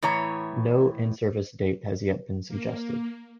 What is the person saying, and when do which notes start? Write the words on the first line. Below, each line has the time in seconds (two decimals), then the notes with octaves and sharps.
No in-service date has yet been suggested.
0.02 A2 E3 C#5 A#5
2.48 A#3